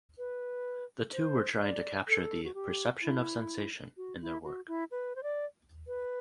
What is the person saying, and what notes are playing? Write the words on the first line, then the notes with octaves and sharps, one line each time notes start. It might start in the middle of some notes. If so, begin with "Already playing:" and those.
The two were trying to capture the "perception of sensation" in their work.
B4
C5
D5
A4
F#4
G4
E4
F#4
E4
F#4
E4
B4
C5
D5
B4